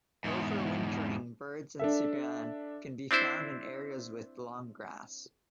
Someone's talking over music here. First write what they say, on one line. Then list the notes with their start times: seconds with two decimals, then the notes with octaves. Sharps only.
Over-wintering birds in Sudan can be found in areas with long grass.
0.24 E2 G#2
1.79 D4 A4 E5
3.11 C4 D4 E4 C5